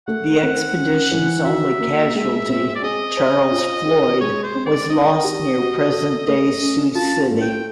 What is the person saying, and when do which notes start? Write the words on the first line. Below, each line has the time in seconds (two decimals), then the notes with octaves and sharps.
The expedition's only casualty, Charles Floyd, was lost near present-day Sioux City.
0.08 A3 F#5
0.43 C4
0.77 C#4
1.11 E3
1.45 F#4 E5
1.80 A#3
2.15 G#3
2.49 C4
2.75 D5
2.82 G#4 D#5
3.17 C5
3.51 F4
3.86 G#4
4.21 G#3 C#5
4.43 C5
4.55 C4
4.66 D5
4.90 D#4 D#5
5.24 G4
5.58 F#4
5.92 A4
6.27 A3 D#5
6.61 C#4
6.95 F4 A5
7.30 A3
7.41 G5